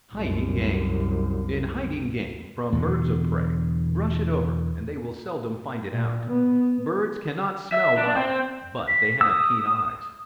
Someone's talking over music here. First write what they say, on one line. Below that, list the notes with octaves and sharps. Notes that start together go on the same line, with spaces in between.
Hiding Game.--In hiding game from birds of prey, brush it over, and they will seldom find it out; birds cannot smell well, but they have keen eyes.
C2 F#2
E2 B2 D3
A#2
B3
E5
D4
C4
B6
D#6 E6